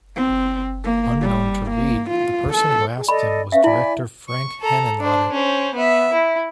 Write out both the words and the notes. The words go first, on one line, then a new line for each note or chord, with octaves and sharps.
Unknown to Reed, the person who asked him was director Frank Henenlotter.
C4
A#3
G3
A#3
F4
A4
G#4
A4 D5 D#5 B5
C#4 B4 E5 F5
E4 D5 G#5 B5
C#6
A4 A#5
D4 C5
C#4 C5
B3 E5
E4